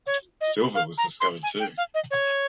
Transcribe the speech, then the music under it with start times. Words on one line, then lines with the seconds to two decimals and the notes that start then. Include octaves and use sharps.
Silver was discovered too.
0.07 C#5
0.41 D#5
0.75 F5
0.98 A#5
1.20 C6
1.43 G#5
1.60 G5
1.78 F5
1.94 D#5
2.11 C#5